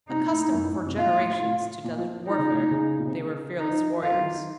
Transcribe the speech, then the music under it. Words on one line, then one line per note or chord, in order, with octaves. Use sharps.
Accustomed for generations to desert warfare, they were fearless warriors.
C3 D#4
A#2
A2
A2
F#2
A2
F#2
C3
A#2 F4
A2
A2
A#2
F3
F3
F3 D#4
C#3
A2
A#2
C#3
A#2
C3
C#3
D#4
F3
F3
F3
F3 F4
F#3
D#3
F3
D#3